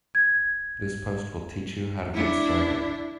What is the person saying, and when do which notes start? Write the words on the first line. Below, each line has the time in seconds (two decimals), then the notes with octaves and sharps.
This post will teach you how to get started.
0.15 G#6
2.14 D4 E4